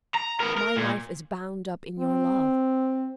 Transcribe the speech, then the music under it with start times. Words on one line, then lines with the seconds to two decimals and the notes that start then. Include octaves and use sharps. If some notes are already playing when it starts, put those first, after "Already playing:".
My life is bound up in your love.
0.15 A#5
0.40 B3 A#4
0.57 A#4
0.77 A#2
1.99 C4